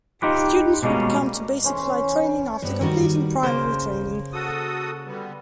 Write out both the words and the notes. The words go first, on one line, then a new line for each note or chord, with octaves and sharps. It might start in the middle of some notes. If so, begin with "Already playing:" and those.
Students would come to Basic Flight Training after completing Primary Training.
D#4 F4 G4 B4
B2 G3 G#3 A#3 C#4
E3 C#4 C5
G2 B3 C4
D#3 G3 F#4
C#3 A#3 C5
F#4 A4 D#6
D3 G3 B3